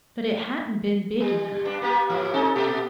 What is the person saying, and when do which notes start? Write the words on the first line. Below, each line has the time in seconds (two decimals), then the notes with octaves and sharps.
But it hadn't been big enough.
1.20 G3
1.65 G2 D4
1.82 A#3 B3 G4
2.10 G#2 F3
2.34 C4 D#4 A4
2.55 A#2 G4 A4